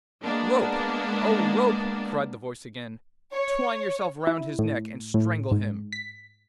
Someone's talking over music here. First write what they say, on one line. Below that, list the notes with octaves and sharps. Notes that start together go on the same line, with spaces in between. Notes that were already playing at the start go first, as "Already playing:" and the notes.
'Rope, O rope!' cried the voice again, 'twine yourself round his neck and strangle him.'
G#3 A#3 B3 D4
C#5
E4
A2
A2
G#2
B6